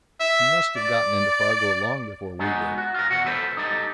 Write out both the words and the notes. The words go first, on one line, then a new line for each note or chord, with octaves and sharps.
He must have gotten into Fargo long before we did.
E5
D5
G#3 B3 D#4 F#4
F#4
F4 A#4
D#2 B2 E3 F#4 F#5
F4 A4 B4 C5
D#4 G4 A4